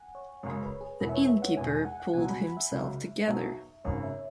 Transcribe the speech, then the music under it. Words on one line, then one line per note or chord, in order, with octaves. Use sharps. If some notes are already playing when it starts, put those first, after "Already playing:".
The innkeeper pulled himself together.
Already playing: F#5 G#5
C#5
F#2 C#3 G#3 C#5
B4
G#4
E1 E2 E3 B4
E5
C#5
E5
F#5
E1 E2 B2 G#3 G#5
G#5
F#5
F#5
C#2 B2 F#3 G#5
B5
E5
C#2 C#3 F#3
B1 B2 F#3
G#1 F#2 C#3 C#5
E5